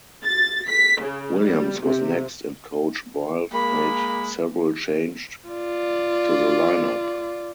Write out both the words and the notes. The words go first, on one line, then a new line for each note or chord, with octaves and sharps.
Williams was next and coach Bawlf made several changed to the lineup.
A6
B6
C#3
G3
C3
G#3 A#3 B5
F4 D5